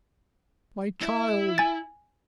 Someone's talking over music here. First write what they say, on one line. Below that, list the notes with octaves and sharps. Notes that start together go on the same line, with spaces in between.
My child!
E4
G#5 A6